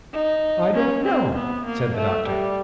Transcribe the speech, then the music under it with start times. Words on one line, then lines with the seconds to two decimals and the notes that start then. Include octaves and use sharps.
"I don't know," said the doctor.
0.13 D#4
0.74 C#4
1.04 C4
1.35 B3
1.66 A#3
1.96 A3
2.26 G3